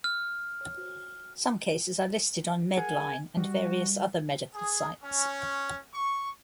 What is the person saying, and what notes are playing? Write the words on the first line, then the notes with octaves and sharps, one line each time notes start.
Some cases are listed on MedLine and various other medical sites.
F6
G#4 A#4 F#5 G#5
G3 F#4
G#4
C#4
C#6